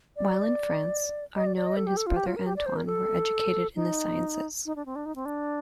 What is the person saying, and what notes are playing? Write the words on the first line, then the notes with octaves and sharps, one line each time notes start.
While in France, Arnaud and his brother, Antoine, were educated in the sciences.
D5
D#5
D5
D5
D#5
A4
G4
A4
F4
G4
F4
A#4
G4
D5
C5
A#4
A4
D#4
D#4
D4
C4
D4
D#4
C4
D4